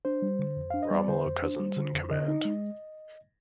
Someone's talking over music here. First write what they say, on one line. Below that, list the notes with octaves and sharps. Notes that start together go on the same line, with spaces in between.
Romolo Cousins in command.
D4 C5
G3
D3
F2
D4 F5
D#5
G3
D5
D3 C5
F2
D4
G3
D3
F2
D3 D#5
D#4
G#3